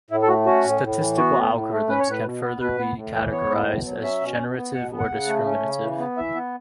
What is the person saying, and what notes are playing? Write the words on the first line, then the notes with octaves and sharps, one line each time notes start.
Statistical algorithms can further be categorized as generative or discriminative.
A2 E4
A4
A3 F#4
C#4 F#4
A2
A2
E3
B3 F#4
A2
A2
A3
C#4 B4
C#5
A2 B4
B2
B3
B2 B4
B3
A2
E3
B3 C#5
A2
B2
F#3
C#4 E5
B2
B2
B3
B2 F#5
B3
F#5
C#3
A3
C#4
C#3
E3
B3
E3 E5
B3